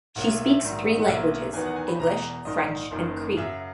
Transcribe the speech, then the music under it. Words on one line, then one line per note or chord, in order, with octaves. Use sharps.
She speaks three languages: English, French, and Cree.
B1 B2 A#3 F#5
E5
E5
E5
A#1 G#2 D#3 F#3
F#5
B1 B2 A#3 E5
E2 D#3 F#3 B3 G#5
F#5
G#5
B5
E1 E2 B2 A#5
A#1 G#2 D#3 A#3 D#5
F#1 F#2 D#3 A#3
F#2 C#3 F#3 E5